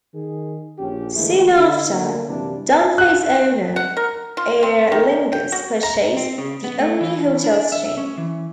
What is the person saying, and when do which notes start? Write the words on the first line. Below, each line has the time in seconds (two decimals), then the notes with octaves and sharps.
Soon after, Dunfey's owner, Aer Lingus, purchased the Omni Hotels chain.
0.14 D#3 G#4
0.79 A#1 C#4 G4
1.17 A2 D3 E3 G#3 A#3 E4
1.58 D3 D#4
1.91 D3 A#3
2.29 F#2 C3 E3 G3 A#3 D4
2.98 F#6
3.76 F#5
3.97 A#4
4.37 F4
4.63 C4
4.92 D#3
5.32 G5
5.52 F#4
5.83 A#5
6.17 C4
6.38 C#3
6.64 B3
6.80 A3
7.01 E3
7.44 D4
7.72 E5
7.98 C#4
8.18 E3